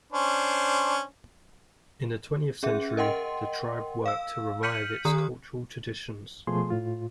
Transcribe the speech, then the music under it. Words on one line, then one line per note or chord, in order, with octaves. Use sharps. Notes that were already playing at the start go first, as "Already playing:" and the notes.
In the twentieth century, the tribe worked to revive its cultural traditions.
C#4 D4 C5
C#4 G#4 E5
A#4 D#5 F#5 G5 C6
F5 E6
F6 G6 B6 C#7 D#7 F#7
D#3 G4 A#5 D#6
B2 F3 A3 G#4 C6
A2 F4